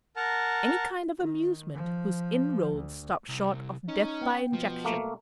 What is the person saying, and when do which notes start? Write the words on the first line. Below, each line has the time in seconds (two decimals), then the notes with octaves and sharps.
Any kind of amusement whose inroads stop short of death by injection.
0.16 A#4 F#5 A5 A#5
1.19 D#3
1.75 F3
2.74 D2
3.28 C2
3.88 C#4 D#4
4.21 B3 G5
4.53 B2 F3
4.85 A3 A#3